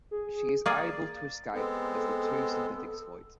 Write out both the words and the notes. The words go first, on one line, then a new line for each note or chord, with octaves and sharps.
She is able to escape as the two synthetics fight.
G#4
A#3 G#4 D5 A6
G#3 B3 C4 A4